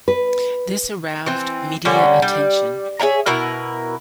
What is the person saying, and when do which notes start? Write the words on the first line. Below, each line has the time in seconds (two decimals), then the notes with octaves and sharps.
This aroused media attention.
0.08 B4
1.27 E3 C4
1.85 D3 G3 A#3 C#4
2.22 G3
2.99 G#4 C#5 E5 A#5
3.26 B2 E4 A#4 B4